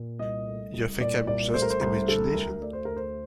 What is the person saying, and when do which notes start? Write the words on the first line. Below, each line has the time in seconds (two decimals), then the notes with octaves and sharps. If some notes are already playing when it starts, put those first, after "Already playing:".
You think I'm just imagination?
Already playing: A#2
0.19 C2 D#5
0.47 A3
0.74 C2
1.00 A#2 D5
1.27 C2 D5
1.54 A3 C5
1.62 A#4
1.70 C5
1.81 C2
2.08 D3 A4
2.34 D2 A#4
2.62 A3 D5
2.73 C5
2.85 D2 A#4
2.97 C5